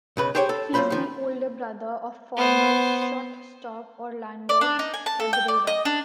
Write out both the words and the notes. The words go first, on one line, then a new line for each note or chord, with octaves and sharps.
He is the older brother of former shortstop Orlando Cabrera.
B1 C#3 B4
G4 G#4 C5 C#5 G5
A4
F#3 A#3 F4 C5 B5
D#3 F3
B3 C5
D5
D4
D#4
G#5
A5
A4
G5
D5
D#5
D4